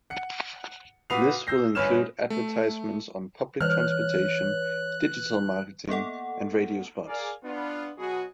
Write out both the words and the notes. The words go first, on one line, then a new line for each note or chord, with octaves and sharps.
This will include advertisements on public transportation, digital marketing, and radio spots.
F#5 C#7
A#2 F#4 B4 D#6 C7 F7
E6 G6 A#6 C7
G1 C#4 B4 C#5 F6 E7
A3
E3 B4 C#5 F6 F#6
A#3 B3 A4 F#5
G#4 A#4 D5 F5
B3 D4 F4
B2 F#3 F#4 G#4